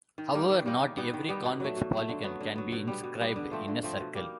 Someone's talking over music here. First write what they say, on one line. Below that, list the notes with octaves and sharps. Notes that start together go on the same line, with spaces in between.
However, not every convex polygon can be inscribed in a circle.
D#3
G3 A#3 D#4
D#3
G3 A#3 D#4
D#3
G3 B3 D#4
D#3
G3 B3 D#4
B2
F#3 A3
B2
F#3 A3
D3
F#3 B3
D3
F#3 B3
B2
G3 B3
B2
G3 B3
D3
F3 A3 C4
D3
F3 A3 C4
B2
G3 A#3 D#4